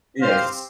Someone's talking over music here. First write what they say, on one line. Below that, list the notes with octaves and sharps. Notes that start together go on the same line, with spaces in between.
Yeah, 'cause
C4 G4 C5 F5